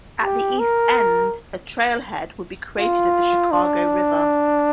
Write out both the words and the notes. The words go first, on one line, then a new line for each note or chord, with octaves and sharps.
At the east end, a trailhead would be created at the Chicago River.
G4
A#4
F4
D4